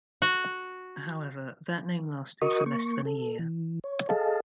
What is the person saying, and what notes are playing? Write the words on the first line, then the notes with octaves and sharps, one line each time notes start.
However, that name lasted for less than a year.
F#4
F#4 A#4 D#5 C#6 D#6
A#3 C#6
A4
E3
C#5
G#4 A4 D#5 F5 A5